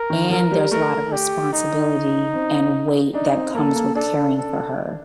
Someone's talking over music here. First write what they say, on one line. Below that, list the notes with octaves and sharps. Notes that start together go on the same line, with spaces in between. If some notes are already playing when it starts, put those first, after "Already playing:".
and there's a lot of responsibility and weight that comes with caring for her.
Already playing: A#4
D#3
F3 A#4
G3
A3 A#4
G4
D#4
C4
D4 D#4
C4
A#3 A4
A#3
D4 A4
A4